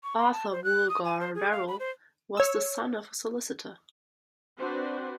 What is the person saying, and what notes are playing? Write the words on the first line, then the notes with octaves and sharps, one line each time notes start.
Arthur Woollgar Verrall was the son of a solicitor.
C#6
C6
A5
C5
F#6
D#6
G#5
C5
G#4
F5
B5
C5
C#5 E6
C4 D4 F#4 B4 C5